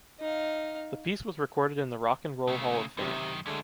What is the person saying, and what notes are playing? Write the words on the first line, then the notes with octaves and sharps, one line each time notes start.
The piece was recorded in the Rock and Roll Hall of Fame.
D#4 F5
C#3 A3
F#2 C3 D#3
D2 G#3 A3 D4